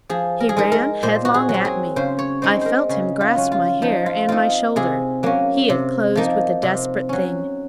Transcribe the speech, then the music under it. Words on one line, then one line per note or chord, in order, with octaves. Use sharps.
He ran headlong at me: I felt him grasp my hair and my shoulder: he had closed with a desperate thing.
F3 G#4
A#4
G#4
G#3 D#4 A#4
A#4
A#2 C5
F#4
G#4
F#3
C4
G#4
C#3 C5
C#5
G#3 C4 D#4 C5
A#4 C5
C#3 G#4
F4
F#3 C#4
F4
F3 D#4
F4
C4 D#4 F4
C3 G#4
F#3 A#3 C#4
C3
F3 A#3 D#4
C3
F#3 C#4